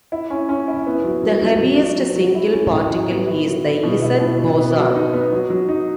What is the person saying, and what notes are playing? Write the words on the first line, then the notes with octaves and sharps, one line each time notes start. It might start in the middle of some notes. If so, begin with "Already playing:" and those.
The heaviest single particle is the Z boson.
E4
C#4
C#4
E4
B3
F#3
F#3
F#3
F#3
F#3
F#3
F#3
E4
C#4
A2
F#3
B3
E4
F#3
E4
B2
E4
B2
B2
B3
F#3
D#4
B3
F#3
F#3
D#4